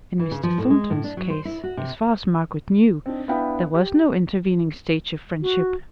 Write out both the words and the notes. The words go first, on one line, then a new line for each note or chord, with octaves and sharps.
In Mr. Thornton's case, as far as Margaret knew, there was no intervening stage of friendship.
E3
C#3
F3
A2
G#3
A2
D4
F#3
C5
E4
F#4
C3
C4 D4 D#4
B3 D4 E4 F5 G5 B5
G4
F#4